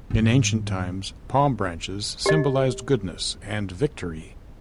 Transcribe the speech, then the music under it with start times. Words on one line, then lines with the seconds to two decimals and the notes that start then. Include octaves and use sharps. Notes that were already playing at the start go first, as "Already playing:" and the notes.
In ancient times, palm branches symbolized goodness and victory.
0.10 G#2 G3
2.26 G4 D#5